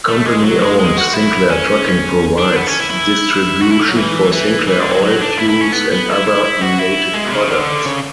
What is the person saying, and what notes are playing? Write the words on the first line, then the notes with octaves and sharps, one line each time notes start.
Company-owned Sinclair Trucking provides distribution for Sinclair Oil fuels and other related products.
A3
G#3
F#3
G#3
G#3
F#4
E4
C#4
D4
B3
C#4
E4
E4
F#4
E4
A3
F#3
E3
E3
E3
D3
F#3
F#3
D4
E4
E4
C#4
B3
B3
E4
E4
E4
F#4
E4
G#3
B2
C#3
D3
C#3